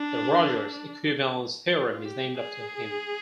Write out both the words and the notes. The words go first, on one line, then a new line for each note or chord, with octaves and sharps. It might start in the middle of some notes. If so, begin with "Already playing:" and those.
The Rogers equivalence theorem is named after him.
Already playing: D4
F4
G4
G#4